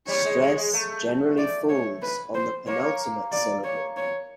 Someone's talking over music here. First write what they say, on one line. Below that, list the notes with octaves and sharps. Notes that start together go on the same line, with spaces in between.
Stress generally falls on the penultimate syllable.
G3 C#5
G#3
G#3
G#3
A3
D5
C#5
B4
C5
A#3 C#5
D5
C#5
C#5